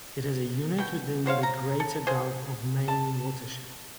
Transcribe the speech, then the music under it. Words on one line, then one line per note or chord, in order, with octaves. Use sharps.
It is a unit within the greater Gulf of Maine Watershed.
B2 G5
F#4 C5 C#5 F5
A#5
A4
G#4 C5 F5
A5